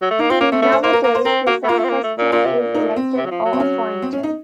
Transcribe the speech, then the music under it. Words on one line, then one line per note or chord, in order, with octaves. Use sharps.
Nowadays the sacristan is elected or appointed.
F#3
A3
A#3 D#4
C4 F4
A#3 C#4
A3 C4
A3 C#4
C5
A#3 C5
A#4
A#3 A#4
C5
C4 A#4
A#3 F#4
A3
A#3 F4
A3
C4
A#3
A3
A#2
A#2 F4
C3
A#2
D#4
C4
C3
F#3
F3
F#3
C4
C#4
C4
C#4
D#4